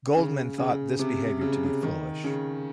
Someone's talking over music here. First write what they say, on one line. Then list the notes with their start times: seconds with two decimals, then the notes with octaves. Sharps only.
Goldmann thought this behavior to be foolish.
0.16 C#3
0.58 C#3
0.99 C3
1.41 C#3
1.53 C3
1.64 C#3
1.83 D#3
2.24 C#3